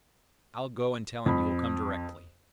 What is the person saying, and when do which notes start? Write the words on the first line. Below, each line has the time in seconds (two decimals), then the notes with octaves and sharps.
"I'll go and tell him you will come directly."
1.26 F2 B5